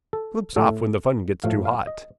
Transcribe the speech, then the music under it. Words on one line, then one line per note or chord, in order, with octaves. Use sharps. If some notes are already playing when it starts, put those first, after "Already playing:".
Slips off when the fun gets too hot.
A4
A2 A3 A4
A2 F3 A3 F5
F5
D#5